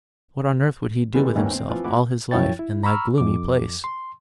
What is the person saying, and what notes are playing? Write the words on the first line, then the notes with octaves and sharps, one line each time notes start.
What on earth would he do with himself all his life in that gloomy place!
D3 E3 G3 G#3 B3
D#2 G#2 D#3 E3 A#3 C#4
C4
E3 F3 C4 F4
A2 E4 F#4 D6
F#2 F3 E4 C#5 G5 A6
E4
A#5 B5 C#6 E6 F6
F2 D6
C6